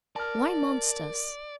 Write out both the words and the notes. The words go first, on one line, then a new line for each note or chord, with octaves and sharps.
Why monsters?
A#4 D5 A5 F6